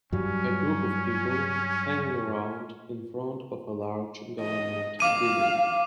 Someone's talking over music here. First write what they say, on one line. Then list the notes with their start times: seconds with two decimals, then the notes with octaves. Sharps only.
A group of people hanging around in front of a large government building.
0.12 G2 F#3 G3 C#4
4.41 D#5
5.00 F5 D6 D#7